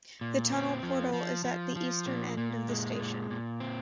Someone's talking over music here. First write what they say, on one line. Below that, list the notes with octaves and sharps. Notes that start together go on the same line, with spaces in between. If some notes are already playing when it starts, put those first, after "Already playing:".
The tunnel portal is at the eastern end of the station.
A#2
C4
F3
F3
F3
F3
A#2
A#2
G#3
A#2
A#2
C4